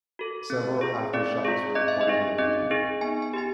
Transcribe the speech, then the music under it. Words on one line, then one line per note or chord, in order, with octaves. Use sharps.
Several aftershocks were reported in the region.
F#4 A4
C4
F4 G#4
C4 D5
F4 G#4
C4 D#5
E5
D#5
D#4 G#4
C4 D#5
D#4 G#4
B3 G#5
G#5
D#4 G4 G#5